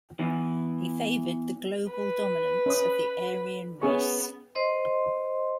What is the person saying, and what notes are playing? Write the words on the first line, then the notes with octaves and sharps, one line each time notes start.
He favored the global dominance of the Aryan race.
E2 E3
B4
C#4 C5 D#6
B3 C#4 G#4 C#6
C5 D#5 C6